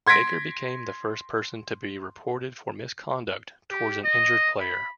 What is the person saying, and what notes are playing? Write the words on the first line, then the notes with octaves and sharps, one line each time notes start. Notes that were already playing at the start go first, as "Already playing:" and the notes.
Baker became the first person to be reported for misconduct towards an injured player.
C6 G#6 A#6 B6 D7
G4
D#5
B5